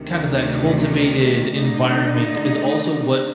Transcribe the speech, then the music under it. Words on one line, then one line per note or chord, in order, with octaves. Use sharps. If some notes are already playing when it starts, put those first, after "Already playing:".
kind of that cultivated environment is also what,
Already playing: D2 C3 D#3 A3
D3 A3 D#4